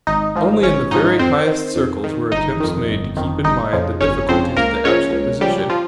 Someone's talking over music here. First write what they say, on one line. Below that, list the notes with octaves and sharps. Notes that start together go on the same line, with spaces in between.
Only in the very highest circles were attempts made to keep in mind the difficulties of the actual position.
G#1 D#4 D#5
G#2 F3
G#1 C#4 C#5
G#2 F3 D#4 D#5
F2 C4 C5
D#3
F2
D#3
G1 D#4 D#5
F2 D#3
G1
F2 D#3
G1 D#4 D#5
F2 C#3 F3
G1 C#4 C#5
F2 C#3 F3 C4 C5
C#2 A#3 A#4
C#3 F3 C#4 C#5
C#2
C#3 F3 G3 G4
F3 F4